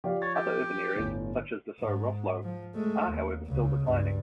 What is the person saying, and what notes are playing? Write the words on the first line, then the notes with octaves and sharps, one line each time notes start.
Other urban areas, such as Dessau-Roslau are however still declining.
F3 G4 D5 F5
C#5 A6
G4
G1 A2
G#2
F3
G#3 A3
D#2
C#2 C#3
C#2 G2